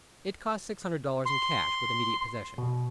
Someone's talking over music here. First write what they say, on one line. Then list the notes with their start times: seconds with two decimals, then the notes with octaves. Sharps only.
It cost six hundred dollars in cash, with immediate possession.
1.26 C6
2.58 B2